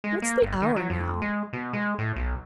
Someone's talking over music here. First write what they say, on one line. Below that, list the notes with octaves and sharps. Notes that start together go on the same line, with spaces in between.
What's the hour now?
G#3
A#3
G1
D#3
F#3
F2
G#3
B2
G#3
A2
B1